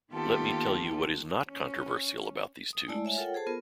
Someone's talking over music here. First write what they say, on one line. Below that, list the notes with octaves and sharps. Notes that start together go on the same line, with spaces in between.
Let me tell you what is not controversial about these tubes.
D#3 A#3 B3 F4 G4 A4
C#4
D#6
G#3 A3 E4 D5 A5
C#5 E5 G#5
F4 A4 A#4 C#5 F#5 G5
G#4 A4 C5 A5
B3 F4 A#4